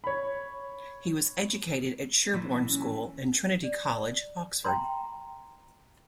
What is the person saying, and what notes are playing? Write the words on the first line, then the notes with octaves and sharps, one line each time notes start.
He was educated at Sherborne School, and Trinity College, Oxford.
C#5 B5
A#2 E3 F#3
C#4
D5
G5 A#5 C6